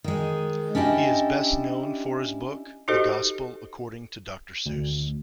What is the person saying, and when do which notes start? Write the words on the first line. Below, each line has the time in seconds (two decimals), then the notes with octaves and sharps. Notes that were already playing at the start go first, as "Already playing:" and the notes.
He is best known for his book "The Gospel According to Doctor Seuss".
0.04 D#3 G#3
0.75 C#4 D4 E4 G4 D#5
2.88 D#4 F#4 G4 A4 C5 D#5
4.66 D2